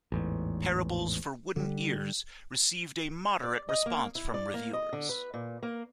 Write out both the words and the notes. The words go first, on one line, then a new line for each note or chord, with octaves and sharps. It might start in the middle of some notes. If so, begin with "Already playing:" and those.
"Parables for Wooden Ears" received a moderate response from reviewers.
A1 E2 G#2
D3 G3
D5
D#5
A#3
E4
D5
A#3
D#5
D3
B4
A#2
A#3